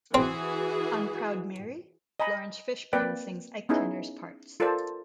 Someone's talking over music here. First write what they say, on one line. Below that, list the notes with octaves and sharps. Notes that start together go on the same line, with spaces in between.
On "Proud Mary," Laurence Fishburne sings Ike Turner's parts.
E3 C4 F#4 G#4
D#5 G#5 A#5 B5
A#3 C4 B4 D5 G5
B3 C#4 D#4 E4 G#4
F4 A4 A#4 C5 D5 A5